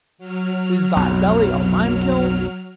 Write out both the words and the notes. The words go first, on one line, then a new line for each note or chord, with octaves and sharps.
Is thy belly a lime-kiln?
F#3 F6
B1 F2